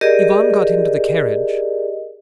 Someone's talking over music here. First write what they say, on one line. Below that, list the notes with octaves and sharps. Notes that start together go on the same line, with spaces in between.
Ivan got into the carriage.
G4 G#4 A#4 D5 D#5